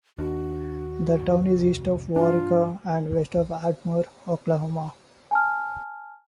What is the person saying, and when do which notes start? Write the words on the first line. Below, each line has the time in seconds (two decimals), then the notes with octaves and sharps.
The town is east of Waurika and west of Ardmore, Oklahoma.
0.18 D#2 D4 F#4
1.19 F#2 A2 D#3
1.55 C2 F2 A2
2.16 G2 E3 F3 D4 F4
5.31 G#5 A5 F6